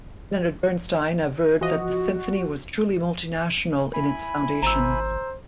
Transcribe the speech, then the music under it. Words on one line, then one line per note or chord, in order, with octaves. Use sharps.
Leonard Bernstein averred that the symphony was truly multinational in its foundations.
E3 F3 F#4 D#5
E4 G#5 B5
G#1 C5 A#5 E6